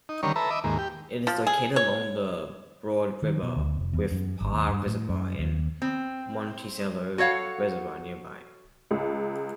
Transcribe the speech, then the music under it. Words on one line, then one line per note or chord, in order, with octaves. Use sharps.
It is located along the Broad River, with Parr Reservoir and Monticello Reservoir nearby.
D#4
D3 D#3 G3 C#4 A#4 C#5
A4 B4 E5 A#5
D#5 E5 B5 D6
D#2 G#2 A#3
G4
F3
G#4
C#5
D#3
B2
D2
F1
E2
F#2
G#1
D#2
G2
A2
F#2
D#2
C4
F#4 A4 C#5 F5 F#5
C#2